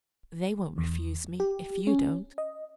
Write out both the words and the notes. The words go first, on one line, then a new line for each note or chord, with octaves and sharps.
'They won't refuse me, if you don't.'
E2
G4
C#4
D#5